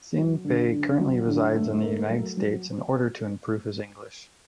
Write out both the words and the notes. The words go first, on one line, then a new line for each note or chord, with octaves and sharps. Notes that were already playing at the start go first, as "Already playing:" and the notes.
Hsin Pei currently resides in the United States in order to improve his English.
F#3
D3
D3
F#3
D3
A3
A#3
F#3
F#3